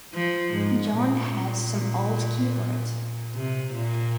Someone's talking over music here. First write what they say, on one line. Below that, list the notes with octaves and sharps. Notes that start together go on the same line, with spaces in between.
Jon has some old keyboards.
F3
G#2
A#2
C3
A#2